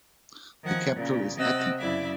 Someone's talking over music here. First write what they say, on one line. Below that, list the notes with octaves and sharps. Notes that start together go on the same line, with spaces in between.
The capital is Ati.
D#3 F3 F#5 G#6
A#2 C#3
C3 C4 D#5 F#5 E6 A6
F#2 C#3 E4 D5 E5